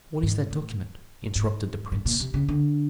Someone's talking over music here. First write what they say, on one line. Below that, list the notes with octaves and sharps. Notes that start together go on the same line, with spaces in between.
"What is that document?" interrupted the prince.
G#2
A2
G#2
A2
A#2
C3
C#3
D3